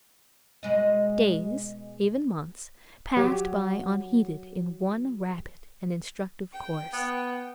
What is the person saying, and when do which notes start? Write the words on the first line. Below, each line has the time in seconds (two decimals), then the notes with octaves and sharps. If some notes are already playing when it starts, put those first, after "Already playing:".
Days, even months, passed by unheeded in one rapid and instructive course.
0.63 B2 G#3 D#5
3.17 F#3 G4
6.53 G5
6.93 B3